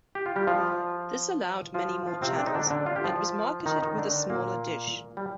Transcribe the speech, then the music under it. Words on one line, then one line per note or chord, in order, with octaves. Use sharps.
This allowed many more channels and was marketed with a smaller dish.
G4
F4
G3 G4
F3 F4
F3 F4
F3 F4
C3 C4
D4
D#4
D3 D4
D3 D4
F4
G4
F3 F4
D#3 D#4
D#3 D#4
D3 D4
A#2 A#3
G3